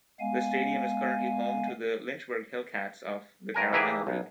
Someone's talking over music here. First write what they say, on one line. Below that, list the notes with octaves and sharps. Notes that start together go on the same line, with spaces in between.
The stadium is currently home to the Lynchburg Hillcats of the Carolina League.
G#3 B3 F5 G#5
G2 A#4 G#5
E3 A#3 E4 G4 G#4 G#5
B1